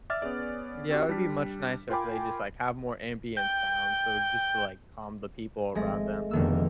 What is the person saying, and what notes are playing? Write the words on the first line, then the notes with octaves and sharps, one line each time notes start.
Yeah, it would be much nicer if they just, like, have more ambient sound, so just to, like, calm the people around them
D5 E5 D6 F6 A6
B3 C#4 G#4 D5
C4 D#4 F#4 G4
G3 D4 B6
F4 A#4 G5 G#5 B5 D6
G5
G#1 G#3 A3 A#6
F1 B2 D3 D#3 A#3 E6